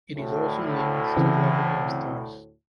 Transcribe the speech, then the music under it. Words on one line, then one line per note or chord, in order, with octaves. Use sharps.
It is also linked to the Avenue of Stars.
D2 A2
C#3 E3 C4